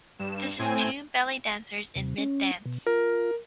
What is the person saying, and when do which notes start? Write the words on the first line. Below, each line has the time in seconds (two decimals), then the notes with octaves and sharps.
This is two belly dancers in mid dance.
0.19 G2 E7
0.59 A2 C4 G#5
1.96 D#2 C3
2.18 C#4
2.65 B2
2.87 F4 A#4